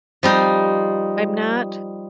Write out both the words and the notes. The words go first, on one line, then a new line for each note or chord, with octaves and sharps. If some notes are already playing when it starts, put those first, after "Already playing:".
I'm not
F3 G3 D#4